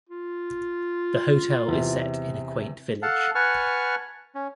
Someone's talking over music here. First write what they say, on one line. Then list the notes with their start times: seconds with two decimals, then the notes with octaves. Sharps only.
The hotel is set in a quaint village.
0.09 F4
1.69 E2 C3
3.03 A4 F5 F#5 A5
3.35 B4 F#5 G#5 A5 C#6 F6
4.35 C#4